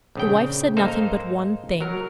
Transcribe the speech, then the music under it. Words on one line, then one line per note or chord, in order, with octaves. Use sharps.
The wife said nothing but one thing.
A#1 C#3 G5
G#2 A#3 D#4 A4 C5 A#5
F#3 A#4